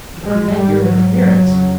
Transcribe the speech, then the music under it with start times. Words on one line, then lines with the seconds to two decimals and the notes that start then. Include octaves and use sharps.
"To prevent your interference."
0.24 G#2 G#3
0.54 G3
0.83 F#3
1.13 F#3
1.41 F2 C#3